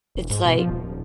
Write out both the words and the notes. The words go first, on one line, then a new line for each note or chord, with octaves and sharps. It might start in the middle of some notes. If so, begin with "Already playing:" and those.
it's like
E1
G#2
B2
F3
D#1
D#1